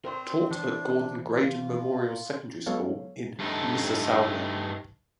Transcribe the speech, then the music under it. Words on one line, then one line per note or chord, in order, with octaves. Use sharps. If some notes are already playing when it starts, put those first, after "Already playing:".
Taught at Gordon Graydon Memorial Secondary School in Mississauga.
C4 A#4 C5 C6
E3 D4 C5
F4
F#3 G#3 B3 A4 C#5 F5
G2 A3 D#4 A4